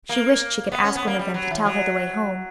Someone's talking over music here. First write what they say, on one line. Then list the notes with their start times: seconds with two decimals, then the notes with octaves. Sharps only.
She wished she could ask one of them to tell her the way home.
0.09 A#3
0.72 B3
0.84 C#4
0.95 B3
1.07 A#3
1.19 G3
1.34 F#3
1.51 E3
1.65 F#3